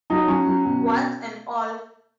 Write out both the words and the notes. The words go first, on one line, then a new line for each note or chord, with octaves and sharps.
Warts and all.
F#3 D#4
F#3 C#4
F#3
B2
B2